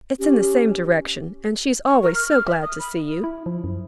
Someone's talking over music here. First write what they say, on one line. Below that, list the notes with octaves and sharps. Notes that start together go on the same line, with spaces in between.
It's in the same direction, and she's always so glad to see you.
C#4 G4
C#6
A#4
F6
F6
E5
D#6
B5
E4
F3
F#2